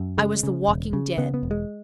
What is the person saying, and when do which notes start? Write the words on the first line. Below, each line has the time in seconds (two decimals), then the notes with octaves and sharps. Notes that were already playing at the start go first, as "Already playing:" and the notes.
I was the walking dead.
Already playing: F#2
0.18 C#3 G#3
0.43 C#3
0.68 E1
0.93 C#3
1.18 C#3 B3
1.34 B3
1.43 E1
1.51 G#3